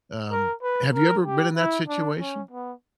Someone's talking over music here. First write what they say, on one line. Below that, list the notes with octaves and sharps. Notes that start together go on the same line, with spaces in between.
Um, have you ever been in that situation?
A#4
B4
A#4
G4
E4
D4
C#4
B3